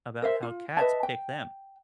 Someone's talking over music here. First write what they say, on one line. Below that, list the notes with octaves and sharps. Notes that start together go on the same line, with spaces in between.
about how cats pick them.
A#4 C5 E5
F4
B4 D#5 E5 A5
G5